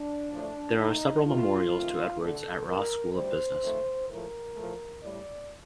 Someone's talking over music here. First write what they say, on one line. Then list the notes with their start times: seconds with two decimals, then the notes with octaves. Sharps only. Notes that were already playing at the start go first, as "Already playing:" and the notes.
There are several memorials to Edwards at Ross School of Business.
Already playing: D4
0.32 A2 F3 A3
0.79 D#2 D#3 A3 D#4
1.26 G2 D#3 A3 F4
1.74 F2 C3 D#3 A3
2.20 D2 D3 A3 A4
2.68 A#2 G3 A#4
3.14 D2 C3 G3 C5
3.62 F2 D#3 A3
4.09 A2 F3 A3 A#4
4.56 A2 F3 A3
5.02 A2 G3 D5